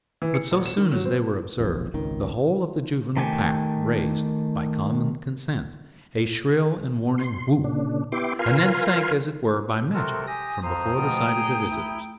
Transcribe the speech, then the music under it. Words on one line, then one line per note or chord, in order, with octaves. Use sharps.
But so soon as they were observed the whole of the juvenile pack raised, by common consent, a shrill and warning whoop; and then sank, as it were, by magic, from before the sight of their visitors.
E3
C#7
D#1
E7
D#3
F#3
C4
E1 A#1 F2
G#1 C#2 D#3
D#3 A3 G4 G#5
C6
A#2 C#3 D4
B3 E4 G4 C6 D6
F4 A#4 B4 F5 G#5 C6
C3 F#4 A4 A#4 C6
G4 G#5 D#6 A#6
F2 C5 A#5 D#6
B2 F3 A3 G5
G#4
E4